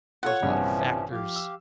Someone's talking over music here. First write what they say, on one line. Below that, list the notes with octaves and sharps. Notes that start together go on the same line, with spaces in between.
there's a lotta factors
F4 A4 C#5 F#5
A#1 G2 C3 E3 F3 C#4
F3 G4 F5
E6